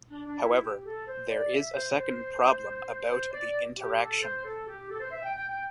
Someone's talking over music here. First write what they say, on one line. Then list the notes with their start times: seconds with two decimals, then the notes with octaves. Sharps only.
However, there is a second problem about the interaction.
0.09 D4
0.25 D4
0.40 E4
0.62 G4
0.85 A4
1.07 C5
1.30 D5
1.52 E5
1.74 C5
1.97 C5
3.09 C5
3.32 D5
3.77 G4
3.99 A4
4.22 C5
4.45 A4
4.67 G4
4.90 A4
5.00 C5
5.12 E5
5.23 G5
5.35 G5
5.50 G5